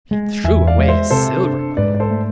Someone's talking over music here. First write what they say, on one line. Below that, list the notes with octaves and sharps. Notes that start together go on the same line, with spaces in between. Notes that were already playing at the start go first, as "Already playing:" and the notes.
He threw away his silver money.
G#3
E2 E5 G#5
D5 F5
G#3
C5 E5
C3 A4 C5
D4
G#2 B4 D5
D5
A4 C5
A3